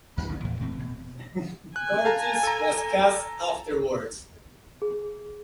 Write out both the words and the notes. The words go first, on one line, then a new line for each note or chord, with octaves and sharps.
Curtis was cast afterwards.
D#2
A1 E3
E2 A#2 C#3 E3
D1 A2 E3 C4
B2
G#5 F#6
F5 A5 A#5
A4 A#5
G#4